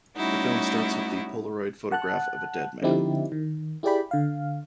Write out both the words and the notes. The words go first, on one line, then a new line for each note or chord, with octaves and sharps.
The film starts with the Polaroid photograph of a dead man.
G3 A3 C#4 D#4 E4 F#4
F#5 A5 F#6
D3 F3 C4 D#4 E4 G4
D#3
E4 G4 G#4 D5 G5 B5
D3 F5